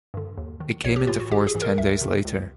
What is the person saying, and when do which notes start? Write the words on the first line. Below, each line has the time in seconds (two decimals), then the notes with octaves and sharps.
It came into force ten days later.
0.14 G2 D3
0.38 D#2
0.60 D#3
0.84 A#1 C#5
0.96 G4
1.07 A2 E3 F4
1.20 F#4
1.31 G#1 G4
1.47 G#4
1.55 G#2 E3
1.62 A#4
1.78 C#2 E5
2.01 C3 D#3
2.25 C#2